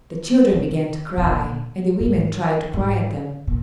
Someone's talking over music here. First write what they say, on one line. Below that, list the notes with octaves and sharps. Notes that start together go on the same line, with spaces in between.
The children began to cry, and the women tried to quiet them.
C3
C3
A#2
G#2
G#2
A#2